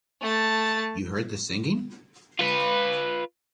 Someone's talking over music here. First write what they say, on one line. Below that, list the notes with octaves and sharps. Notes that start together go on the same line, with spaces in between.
You heard the singing?
A3 A5
F4 B4